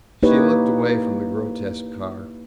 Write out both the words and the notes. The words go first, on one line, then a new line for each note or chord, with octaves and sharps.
She looked away from the grotesque car.
A#3 D#4 E4 G4 B4 C#5